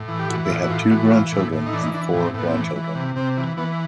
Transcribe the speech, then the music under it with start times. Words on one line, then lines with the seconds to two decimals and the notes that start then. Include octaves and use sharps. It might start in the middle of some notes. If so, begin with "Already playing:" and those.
They have two grown children and four grandchildren.
Already playing: A2
0.08 E3
0.19 G4
0.30 E3 F#4
0.45 E4
0.49 A2 F4
0.64 F#4
0.70 A2 F4
0.91 E3 F#4
1.07 F#4
1.11 E3 F4
1.32 A2
1.39 E4
1.52 A2
1.66 D#4
1.73 E3 D4
1.83 D#4
1.94 E3 D4
2.13 A2
2.20 C4
2.34 A2 B3
2.47 C4
2.55 E3
2.76 E3
2.95 C3
3.16 C3 C4
3.37 E3
3.57 E3 B3